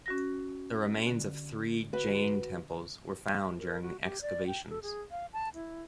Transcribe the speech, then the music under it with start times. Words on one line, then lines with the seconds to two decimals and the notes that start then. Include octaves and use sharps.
The remains of three Jain temples were found during the excavations.
0.06 C#4 F#4 A#6
1.07 D3
1.93 F#4 B4
3.59 A#4
3.82 F#4
4.03 G4
4.21 D5
4.47 G5
4.70 A4
4.82 G#4
5.11 F5
5.33 A5
5.55 E4